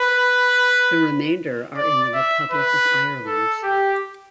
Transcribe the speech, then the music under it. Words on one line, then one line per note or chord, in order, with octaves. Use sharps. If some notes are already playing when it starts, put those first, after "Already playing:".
The remainder are in the Republic of Ireland.
Already playing: B4
D5
E5
B4
A4
G4